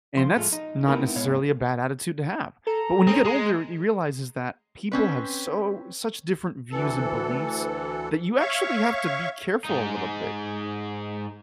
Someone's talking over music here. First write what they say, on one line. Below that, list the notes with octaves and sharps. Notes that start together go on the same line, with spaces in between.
And that's not necessarily a bad attitude to have. But when you get older, you realize is that people have so such different views and beliefs, that you actually have to be careful a little bit,
F3 C5 C6
A2 G#3 A3 F4
D#4
A3 B3 C4 D#4 E4 A#4
G#2 B3 C#5 F5
A4 A#5
C4 C#4 D#6
G#3
C4 C#4 B4
D2 E3 A4
C#5 E5 F5 C#6
G#2 D#4